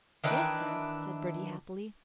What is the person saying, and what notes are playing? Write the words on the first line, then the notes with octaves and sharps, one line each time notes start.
"Yes, sir," said Bertie happily.
D#3 E3 D4 B4